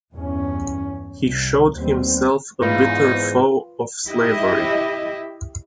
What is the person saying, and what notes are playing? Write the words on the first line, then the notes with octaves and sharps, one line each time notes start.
He showed himself a bitter foe of slavery.
E2 G2 C#4
C2
D#2 G3 B3 C4
E2 G#2 D#4 F4 B4 F5
E4 G4 D#5 E5